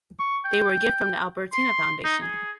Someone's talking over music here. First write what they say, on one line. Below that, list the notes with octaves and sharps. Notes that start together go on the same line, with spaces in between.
They were a gift from the Albertina Foundation.
C#6
G5
C6
D#4
G#4